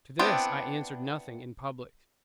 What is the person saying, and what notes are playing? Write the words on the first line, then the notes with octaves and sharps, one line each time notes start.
To this I answered nothing in public.
B3 C4 D4 E4 G5